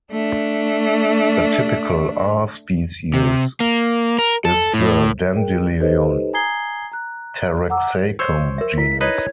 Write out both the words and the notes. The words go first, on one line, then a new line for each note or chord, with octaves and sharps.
A typical "r" species is the dandelion "Taraxacum" genus.
A3 D4
C3
A#3
A#4
A4
A2
G#4 A#4 G5
D#4 G4 A4 B4 C5 D#5
G#5 A#5 D#6 G#6 C7 G7
A#5 F#6
F#5 A#5 D6 E6
C5 C#5 E6
A#4 E5
E4 B6
D#4 B4 C#5 D#5